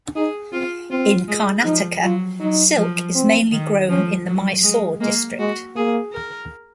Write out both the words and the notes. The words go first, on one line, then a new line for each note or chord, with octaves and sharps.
In Karnataka, silk is mainly grown in the Mysore district.
D#4 G#4
C4 F4
C4 F4
G#3
F3 D#4
F#3 F4
F#3 D#4
F3
C4
D#3
F3 C#4
F#3
G#3
G#3 A#3
G#3 F#4
A#3 G#4
A#4